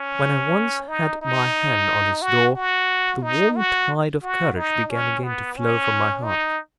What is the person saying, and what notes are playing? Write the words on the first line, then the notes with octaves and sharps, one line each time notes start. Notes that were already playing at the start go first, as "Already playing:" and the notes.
When I once had my hand on his door, the warm tide of courage began again to flow from my heart.
Already playing: C#4
D#4
D#4
F#4
F#4
D#4
F#4
F#4
D#4
C#4
B3
C#4
D#4